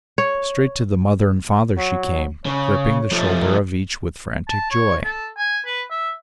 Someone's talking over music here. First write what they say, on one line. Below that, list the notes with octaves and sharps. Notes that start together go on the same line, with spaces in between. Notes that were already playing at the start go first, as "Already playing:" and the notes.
Straight to the mother and father she came, gripping the shoulder of each with frantic joy.
C#5
F#3
C#3 C#5
F3 A3
A5
C#5
A4
G#5
B4
E5